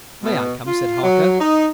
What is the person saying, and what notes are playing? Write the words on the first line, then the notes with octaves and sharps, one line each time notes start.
"May I come?" said Harker.
B2
F4
F#3
D#4